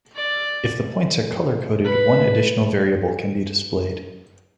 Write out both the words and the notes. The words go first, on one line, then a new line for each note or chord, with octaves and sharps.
If the points are color-coded, one additional variable can be displayed.
D5
B4